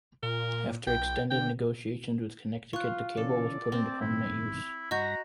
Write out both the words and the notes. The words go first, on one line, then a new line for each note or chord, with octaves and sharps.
After extended negotiations with Connecticut the cable was put into permanent use.
A#2 A#4
B1 G5
D3 G5
F4 C#6 F#6
C#3 E3 C#4 A4 D5
C4 A5
G2 B2 D#3 E4
G2 F#4 D#5 A#5 B5 C#6 G6 A#6